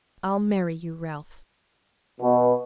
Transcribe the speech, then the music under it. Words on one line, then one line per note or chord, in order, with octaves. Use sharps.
I'll marry you, Ralph!...
B2